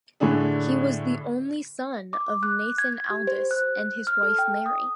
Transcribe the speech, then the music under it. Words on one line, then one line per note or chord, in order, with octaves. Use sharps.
He was the only son of Nathan Aldis and his wife Mary.
A2 D3 A3 D4 G#4
D6
F#6
G#6
G4
C5
F#6
F6
A4
G5
D#6